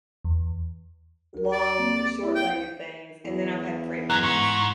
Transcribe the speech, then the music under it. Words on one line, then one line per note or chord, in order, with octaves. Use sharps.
long short-legged things, and then I've had Frenchies.
E2
D2 A#4
D5
A#3 C4
E4 E5
G5
E2
F#2 A#5 F#6 G#6
G#2 C#6